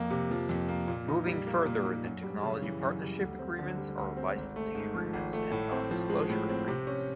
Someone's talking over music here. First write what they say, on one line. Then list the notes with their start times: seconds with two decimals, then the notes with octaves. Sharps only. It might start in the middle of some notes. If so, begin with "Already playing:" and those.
Moving further than Technology Partnership Agreements are Licensing Agreements and Nondisclosure Agreements.
Already playing: F2 A#3
0.10 C3
0.31 F3
0.49 F2
0.68 A#3
0.88 A#2
1.08 D#4
1.27 G3
1.47 A#3
1.66 A#2
1.85 D#4
2.04 F#2
2.23 G3
2.43 C#3
2.62 E3
2.82 F#2
3.01 G3
3.20 D2
3.39 C4
3.59 D3
3.78 G3
3.98 D2
4.17 C4
4.36 G#1
4.56 A3
4.75 G#2
4.94 F3
5.13 G#1
5.33 A3
5.52 A2
5.72 C4
5.91 F3
6.09 G#3
6.30 A2
6.49 C4
6.68 C3
6.87 C#4